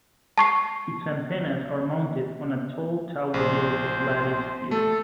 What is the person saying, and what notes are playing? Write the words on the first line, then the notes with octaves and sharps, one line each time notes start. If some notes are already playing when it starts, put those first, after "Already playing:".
Its antennas are mounted on a tall tower built of lattice steel.
A5 C#6 C7
A#1 C5
A3 A4